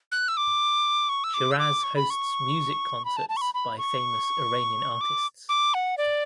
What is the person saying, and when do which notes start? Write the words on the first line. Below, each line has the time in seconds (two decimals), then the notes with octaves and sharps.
Shiraz hosts music concerts by famous Iranian artists.
0.12 F#6
0.28 E6
0.37 D6
1.09 C#6
1.24 E6
1.34 D6
1.51 E6
1.59 D6
1.84 C#6
1.96 B5
2.10 C#6
3.05 B5
3.17 A5
3.29 A5
3.37 C#6
3.42 B5
3.54 B5
3.78 C#6
5.01 D6
5.49 D6
5.74 F#5
5.98 D5